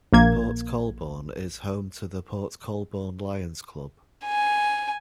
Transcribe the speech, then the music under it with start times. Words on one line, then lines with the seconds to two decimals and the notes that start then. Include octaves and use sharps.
Port Colborne is home to the Port Colborne Lions Club.
0.13 A#1 A#3 G#6
4.25 G#5